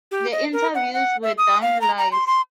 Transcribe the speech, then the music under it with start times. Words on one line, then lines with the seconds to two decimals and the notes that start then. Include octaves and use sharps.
The interviews were done live.
0.11 G4
0.32 D#5
0.53 A#4
0.75 F#5
0.94 F#5
1.23 E5
1.38 D#6
1.62 F5
1.81 A#5
1.98 A#5
2.12 C6
2.27 C6